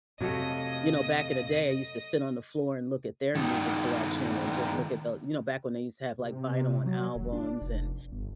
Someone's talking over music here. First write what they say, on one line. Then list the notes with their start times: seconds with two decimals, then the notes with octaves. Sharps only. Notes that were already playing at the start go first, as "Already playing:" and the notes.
you know, back in the day, I used to sit on the floor and look at their music collection, and just look at the you know, back when they used to have, like, vinyl, and albums, and
0.21 F2 C3 F#3 A3 D#5
3.35 G2 D#3
6.19 C3
6.86 F#3
7.16 E1
7.33 D4
7.61 F1
8.12 G1